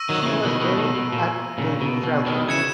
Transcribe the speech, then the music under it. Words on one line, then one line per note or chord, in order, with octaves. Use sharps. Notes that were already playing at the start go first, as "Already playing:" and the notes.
She was buried at the in Frankfurt.
Already playing: C#6 E6 A#6 D#7
D#3 F#3
D#3
C#3 E3
B2 D#3
B2 D#3
B2 D#3
B2
A#2
A#2 C#3
B2
B2
B2 D#3
C#3 E3 G#6 C#7 E7